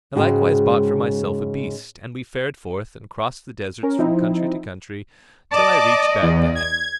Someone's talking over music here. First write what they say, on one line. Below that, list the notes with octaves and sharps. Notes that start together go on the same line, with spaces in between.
I likewise bought for myself a beast and we fared forth and crossed the deserts from country to country till I reached Baghdad.
G#2 C#3 G#3 F#4 G#4 G5
C#4 A#4
F3 C4 D#4 E4
D5 D#5 A5 D6
E2
G#6